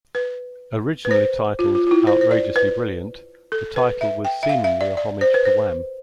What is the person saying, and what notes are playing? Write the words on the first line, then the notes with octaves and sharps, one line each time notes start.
Originally titled "Outrageously Brilliant", the title was seemingly a homage to Wham!
B4
B4
C5
F4
F4
F4
E4
C5
C5
D5
B4
A4
B4
E5
G5
E5
F5
E5
D5
D5
C5
B4
C5